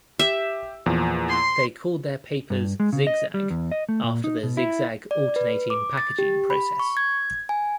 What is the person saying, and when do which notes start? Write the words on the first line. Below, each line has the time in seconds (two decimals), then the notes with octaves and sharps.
They called their papers Zig-Zag after the zigzag alternating packaging process.
0.19 G4 E5
0.86 E2 A#2 F3
1.29 C6
2.50 G2
2.80 G#3
2.93 C#3
3.07 D#5
3.34 G3
3.50 E2
3.72 D#5
3.89 A3
4.03 A#2
4.24 D#4
4.43 B2
4.57 E4
5.11 D5
5.36 B4
5.70 D6
5.98 A6
6.19 G4
6.50 B5
6.79 C#6
6.97 G#6
7.49 G#5